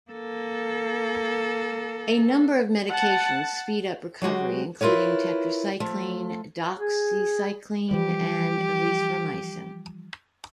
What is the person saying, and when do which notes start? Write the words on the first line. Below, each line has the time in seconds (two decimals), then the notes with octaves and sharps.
A number of medications speed up recovery including: tetracycline, doxycycline, and erythromycin.
0.11 A#3 A4
2.90 F#5 A5
4.22 F#3 G#3 F#4 G4
4.81 E4 F4 A#4 B4 C#5
5.80 F3 A3
6.77 G#4
7.91 E3 F3 G3 G4